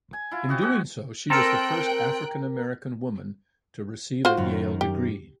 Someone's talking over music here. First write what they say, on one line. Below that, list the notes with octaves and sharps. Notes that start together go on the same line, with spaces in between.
In doing so, she was the first African-American woman to receive a Yale degree.
G#5
E4 F4
C4 F#4 D#5
F#4 G#4 C5 F#5
C4 A4 A#4 G5 A#5 F#6
F4 F#4 C5
F#2 D#3
G4